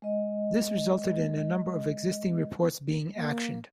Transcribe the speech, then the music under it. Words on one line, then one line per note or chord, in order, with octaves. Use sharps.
This resulted in a number of existing reports being actioned.
G#3 D#5
A#3